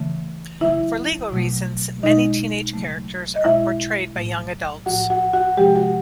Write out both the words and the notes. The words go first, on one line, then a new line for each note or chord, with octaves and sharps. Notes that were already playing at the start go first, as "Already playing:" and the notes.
For legal reasons, many teenage characters are portrayed by young adults.
Already playing: C#3 E3 A3
C#3 F#3 A3 E4 E5
B2 F#3 A3
B2 G#3 D#4 D#5
C#3 F#3 A3
D#5
B2 G#3 E4 E5
A2 F#3 A3
A2 F3 A3 F#4 F#5
F#4 F#5
F#4 F#5
C3 F3 G#3 G4 G5
F#4 F#5